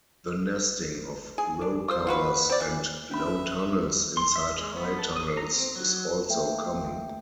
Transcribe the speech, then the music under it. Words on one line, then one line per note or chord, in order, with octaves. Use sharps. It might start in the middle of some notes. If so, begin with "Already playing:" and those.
The nesting of row covers and low tunnels inside high tunnels is also common.
G#4
D4
F4 C5
F4 F#4 B4
C4 D5
E3
C#4 E5 B5
C6
E5
G#3
B3
A4
D#6
A#5
C4
F#3
A3 A#3 E5 G5